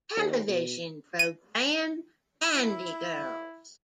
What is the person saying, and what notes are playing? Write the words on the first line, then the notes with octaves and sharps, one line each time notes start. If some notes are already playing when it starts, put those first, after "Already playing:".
Television program "Candy Girls".
D#2
B2
D#7
E4